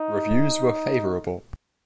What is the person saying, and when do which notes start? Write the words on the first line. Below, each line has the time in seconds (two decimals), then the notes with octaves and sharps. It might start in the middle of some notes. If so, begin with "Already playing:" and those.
Reviews were favourable.
Already playing: D#4